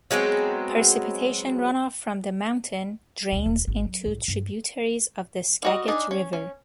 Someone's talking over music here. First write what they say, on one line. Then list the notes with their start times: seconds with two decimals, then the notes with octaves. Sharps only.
Precipitation runoff from the mountain drains into tributaries of the Skagit River.
0.11 F#3 G#3 B3 C4
3.32 C#2 A#2
3.46 D#1
3.67 G#1
3.84 F#3
4.05 C2 A2
4.28 G2 B3
5.63 G3 F#4 D#5
5.88 D4 D#4 G#4 D5
6.11 C#4
6.33 C#4